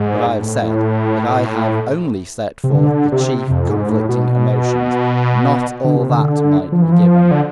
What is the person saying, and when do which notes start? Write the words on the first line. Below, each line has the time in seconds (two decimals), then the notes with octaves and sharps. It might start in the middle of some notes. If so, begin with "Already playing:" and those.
But I have said, that I have only set forth the chief conflicting emotions, not all that might be given.
Already playing: G#2
0.39 A2
2.64 C3
2.72 D3
3.12 C3
3.50 F2
3.69 G#2
3.89 A2
4.09 B2
5.84 D3
5.96 C3
6.09 D3
6.72 F3
6.82 E3
6.92 F3
7.31 D3